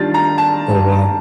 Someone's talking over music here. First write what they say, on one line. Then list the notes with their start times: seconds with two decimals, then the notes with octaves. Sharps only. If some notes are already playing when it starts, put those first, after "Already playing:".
Oh, wow.
Already playing: D#3 G3 D4 F4 A6
0.14 A#5
0.38 A5